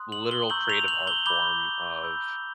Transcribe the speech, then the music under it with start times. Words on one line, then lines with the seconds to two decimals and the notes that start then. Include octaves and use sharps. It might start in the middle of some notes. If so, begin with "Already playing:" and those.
literal creative art form of
Already playing: C6 D#6 F#6
0.12 F#7
0.31 G7
0.50 A#5 C#6 E6 G6 F#7
0.69 F7
0.88 F#7
1.07 G7
1.26 B5 D6 G6 G7
2.02 B5 E6 G6